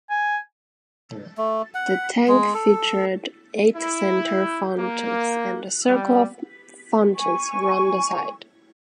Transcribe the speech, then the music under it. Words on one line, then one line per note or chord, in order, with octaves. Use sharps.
The tank featured eight central fountains, and a circle of fountains around the side.
G#5
A3
F#5
G#3
A4
E4
A#3
G3
G#5 C#6